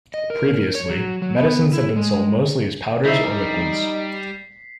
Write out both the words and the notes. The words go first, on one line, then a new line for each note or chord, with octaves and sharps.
Previously, medicines had been sold mostly as powders or liquids.
D#5
A#4
C#5
F#3
F#3
B3
E4
G#3
G3 D#4 E4 C5 E5 B6 C7